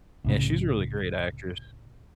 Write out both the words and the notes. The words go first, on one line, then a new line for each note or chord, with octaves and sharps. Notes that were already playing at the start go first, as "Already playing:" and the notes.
Yeah, she's a really great actress.
C2 A2 C#3